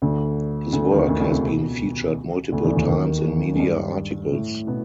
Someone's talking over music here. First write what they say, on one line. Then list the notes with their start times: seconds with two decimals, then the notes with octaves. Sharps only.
His work has been featured multiple times in media articles.
0.02 D2 D3
0.73 D2 D3
0.91 D#2 D#3
1.09 D2 D3
1.20 C#2 C#3
1.32 C3
1.45 B2
2.52 D2 D3
2.64 E2 E3
2.76 D#2 D#3
2.88 D#2 D#3
3.55 G#3
3.60 G2 G3
4.32 A2 A3
4.67 B2 B3